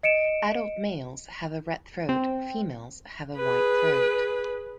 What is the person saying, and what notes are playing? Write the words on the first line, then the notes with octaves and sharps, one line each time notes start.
Adult males have a red throat; females have a white throat.
D#5 C#7 D7 E7
C4
G#4 B4